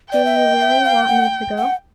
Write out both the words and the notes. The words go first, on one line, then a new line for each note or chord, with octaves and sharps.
Do you really want me to go?
D5 G5
E5
D#5
E5
F5
F#5
F#5